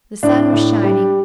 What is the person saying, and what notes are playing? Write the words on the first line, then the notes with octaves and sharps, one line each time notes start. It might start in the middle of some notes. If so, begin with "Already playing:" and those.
The sun was shining.
A2 D4
A2
G3